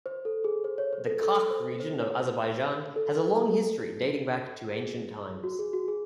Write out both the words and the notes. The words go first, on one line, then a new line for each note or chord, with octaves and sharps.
The Qakh region of Azerbaijan has a long history dating back to ancient times.
C5
A4
G#4
C5
C#5
C5
A4
A4
C5
C5
C#5
C5
A4
A4
A4
G#4
F#4
G#4
F#4
G#4